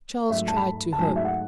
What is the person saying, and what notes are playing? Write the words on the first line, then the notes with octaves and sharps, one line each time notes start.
Charles tried to hope.
G#2 F#3 A3 E5
A5
B5
A5
G#2 F#3 A3 G#5
E5
F#5